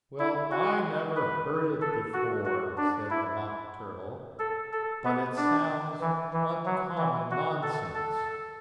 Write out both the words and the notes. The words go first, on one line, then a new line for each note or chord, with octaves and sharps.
'Well, I never heard it before,' said the Mock Turtle; 'but it sounds uncommon nonsense.'
E4
F#4
B4
A4
F#4
F#4
D4
E4
A4
A4
B3
D4
E3
E3
F#3
E3
F#4
A4
A4